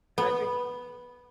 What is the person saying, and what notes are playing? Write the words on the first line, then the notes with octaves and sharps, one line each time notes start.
And I think
B3